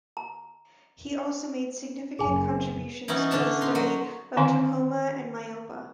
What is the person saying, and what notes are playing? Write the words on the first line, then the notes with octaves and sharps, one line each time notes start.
He also made significant contributions to the study of trachoma and myopia.
A#5
F#1 F#2 G#4 G#5
E3 B3 C#4 D#4 E4
D3 C#4 D4 A5
D#4 C6
F#3
D3 D#3 C4 F5 G#5 C6